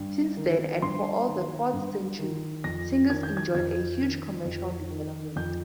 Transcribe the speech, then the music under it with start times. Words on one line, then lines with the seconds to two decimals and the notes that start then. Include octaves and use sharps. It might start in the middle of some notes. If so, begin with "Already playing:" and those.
Since then and for all the fourth century, Tingis enjoyed a huge commercial development.
Already playing: G2
0.37 D#3
0.82 G2 C6
1.28 D#3
1.73 G2
2.19 D#3
2.64 F2 A#6
3.09 D#3 G#6
3.23 G6
3.37 G#6
3.55 F2 G#6
4.00 D#3
4.45 F2
4.91 D#3
5.36 F2 G6